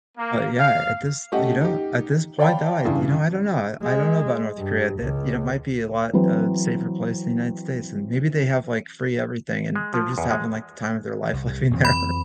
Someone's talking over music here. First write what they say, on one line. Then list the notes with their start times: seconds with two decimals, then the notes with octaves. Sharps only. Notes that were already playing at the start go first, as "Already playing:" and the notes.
Oh, yeah, at this Oh, you know, at this point though, I you know, I don't know. I don't know about North Korea that you know, might be a lot, uh, safer place in United States, and maybe they have, like, free everything, and they're just having, like, the time of their life living there,
0.18 A#3
0.58 F5
1.32 A3 C#4 G4 D#5 F#5
1.61 D#4 G4
2.39 C#5 D5 F5 G5 A5 B5
2.85 G2 C#3 E3
3.83 G#3
4.57 G2
5.00 C#2
6.13 E3 F#3 C4 B4 C5
9.76 G#3
9.94 F3
10.18 E2
10.30 G#3
11.33 C2
11.71 F2 E3 C4
11.85 B5